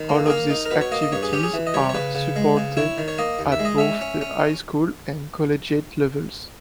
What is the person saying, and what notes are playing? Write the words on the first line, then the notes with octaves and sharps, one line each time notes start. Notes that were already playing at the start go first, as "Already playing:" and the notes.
All of these activities are supported at both the high school and collegiate levels.
Already playing: D#3
A#3
G#4
A#3 A#4
D#4
A#4
B2 B4
C#5
A#3 D#5
D#5
G2 C#5
G#4
C#4 G4
G#4
E3
D#5
G3 C#5
C#5
C#3 B4
C#3
G#3
C#3
E4 C#5
D#3
C#5
A#3 D#5
D#2
E5
G#3
D#5
C#4 E5
C#4
C#4